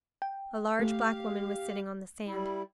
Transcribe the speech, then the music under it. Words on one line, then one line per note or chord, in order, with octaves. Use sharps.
A large black woman was sitting on the sand.
G5
A3 G4 F5
G3 E4